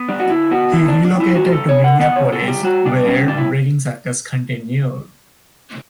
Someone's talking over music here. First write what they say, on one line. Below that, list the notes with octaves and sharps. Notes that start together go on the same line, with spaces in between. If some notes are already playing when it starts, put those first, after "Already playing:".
He relocated to Minneapolis, where Breaking Circus continued.
Already playing: B3
G3 D4
F#4
D3 E4
B3 F#4
D3 E4
D4
D3
D4
G3
E4
D3 F#4
G4
D3 A4
C#5
D3
F#5
B3 F#5
C#5
C#3
A4
G3
G4
G3 F#4
G3 D4
G3 C#4
A2 D4
E4